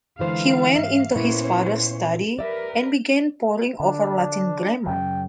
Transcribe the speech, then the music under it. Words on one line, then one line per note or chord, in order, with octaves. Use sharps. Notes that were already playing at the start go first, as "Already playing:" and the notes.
He went into his father's study and began poring over Latin grammar.
D3 E3 G#3 D#4 C5 F5
G#2 E5 F5
A#2 B3 C#4 E4 C5 C#5
G4 A#4 B4 D5 E5
D3 D4
F#2 C#3 F#3 G5